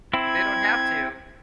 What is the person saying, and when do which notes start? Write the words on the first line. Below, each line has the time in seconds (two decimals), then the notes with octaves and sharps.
they don't have to
0.13 C4 E4 G#6